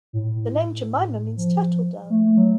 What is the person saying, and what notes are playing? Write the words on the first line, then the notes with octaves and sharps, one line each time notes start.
The name Jemima means "turtledove".
A2
F3
A3
F#3